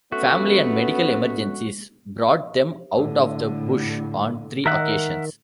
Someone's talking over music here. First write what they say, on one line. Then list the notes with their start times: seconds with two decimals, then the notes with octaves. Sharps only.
Family and medical emergencies brought them out of the bush on three occasions.
0.12 A3 B3 C#4 F#4
2.96 A2 D3
4.66 D#3 A#4 E5 F#5